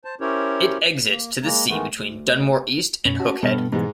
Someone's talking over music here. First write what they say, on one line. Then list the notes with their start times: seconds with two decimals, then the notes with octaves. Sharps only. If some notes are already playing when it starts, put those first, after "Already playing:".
It exits to the sea between Dunmore East and Hook Head.
0.05 C5 A5
0.21 C#4 E4 G4 A#4 C5 C#5
1.10 A#3
1.43 G#3 A#3 A#5
1.68 D#3 E3 G#3 A3 B3
1.94 D2
3.05 F#2 B2 C#4 C#5
3.20 F#4 A5
3.43 G2 B2 B3 A4 F6
3.72 G#2 E3 G3 G#3 B3